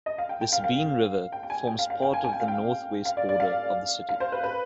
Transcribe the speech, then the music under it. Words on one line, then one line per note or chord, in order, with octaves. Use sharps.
The Sabine River forms part of the northwest border of the city.
D#5
F5
G5
G5
F5
F5
G5
G5
G#5
G5
F5
F5
G5
G#5
G#5
G5
F5
G5
F5
D5
D5
F5
F5
C5
B4
B4